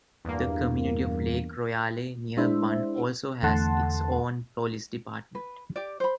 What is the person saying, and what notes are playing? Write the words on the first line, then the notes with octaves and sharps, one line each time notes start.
The community of Lake Royale near Bunn also has its own police department.
E2 G2 A#3
G#3 D4 E4 C5 E5
E2 D3 A3 F#5 A5 C6
B4
G4 D5
C5 B5